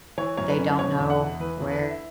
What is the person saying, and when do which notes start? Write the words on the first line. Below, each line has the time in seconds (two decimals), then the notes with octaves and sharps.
they don't know where,
0.18 E3 C#5
0.37 F#2 C#5
0.48 B4
0.59 C#4
0.79 B2 C#5
0.99 E2
1.10 F#5
1.20 E4
1.40 E3 B4
1.61 E2
1.71 B4
1.81 E4
1.89 E5